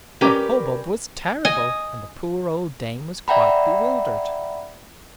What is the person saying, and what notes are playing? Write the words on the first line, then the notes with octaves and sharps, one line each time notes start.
The hubbub was terrible, and the poor old dame was quite bewildered.
G3 C#4 G4 A#4 B4
D#5 G#5
D5 E5 F#5 G5 A#5 B5